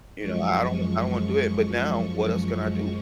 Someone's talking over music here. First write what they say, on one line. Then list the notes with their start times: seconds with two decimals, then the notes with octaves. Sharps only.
You know, I I don't I don't wanna do it, but now, what else can I do?
0.17 F#2 F3 G#3 C#6
0.63 C#6
1.53 C#6